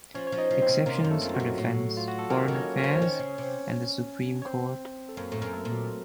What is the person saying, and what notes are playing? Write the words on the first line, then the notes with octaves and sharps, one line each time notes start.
Exceptions are defence, foreign affairs, and the Supreme Court.
F3 C#4 C#5
C#5
F3
D#4 D#5
F3
C4 C5
C#3
C3 A#3 A#4
F#2
A3 A4
F#2 F4
F#3 F#4
F#2
A2
F4
F#4
A4
D#3 A#3 A#4
D#3
C#4 C#5
C#4 C#5
F3
D#3
C#3
C3
C#5
C4 C5
A4
F#2 A#3 A#4
A2
F#2 A#4
A3 A4
A#2
F#3 F#4